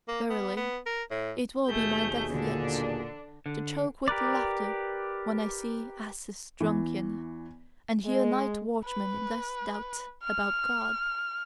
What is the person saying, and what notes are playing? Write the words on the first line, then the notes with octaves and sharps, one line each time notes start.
Verily, it will be my death yet--to choke with laughter when I see asses drunken, and hear night-watchmen thus doubt about God.
A#3
B3
B3
A#4
A2
D#2 B2 A3 G#4 G6
A#2 D3 D4
D3
G4 A#4 B4 D5
E2 E3
G#3
B4
F6